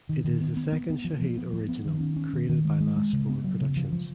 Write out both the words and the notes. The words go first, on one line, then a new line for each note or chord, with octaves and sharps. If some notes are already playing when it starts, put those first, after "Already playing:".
It is the second Shahid Original created by Last Floor Productions.
D#3
D#3
B3
B3
B3
B3
F3
F3
B3
F3
B3
D#3
C#4
C#4
D#3
D#3
G#3
G#3
G#3
C#3
B3
F#3
C#3
F3
F3